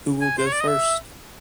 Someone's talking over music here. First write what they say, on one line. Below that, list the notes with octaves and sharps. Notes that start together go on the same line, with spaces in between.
Who will go first?
G#5
C5
C#5
D5
D#5
E5